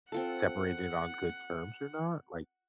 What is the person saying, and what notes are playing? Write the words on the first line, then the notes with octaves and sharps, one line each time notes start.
separated on good terms or not? Like
C4 F4 A4 F#5